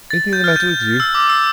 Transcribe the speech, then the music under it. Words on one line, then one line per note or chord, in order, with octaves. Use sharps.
Anything the matter with you?'
A6
G6
F6
G6
E6
D6
E6